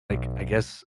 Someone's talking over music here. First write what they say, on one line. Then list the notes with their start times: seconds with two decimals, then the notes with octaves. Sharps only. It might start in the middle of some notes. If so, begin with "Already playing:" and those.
like, I guess,
0.10 B1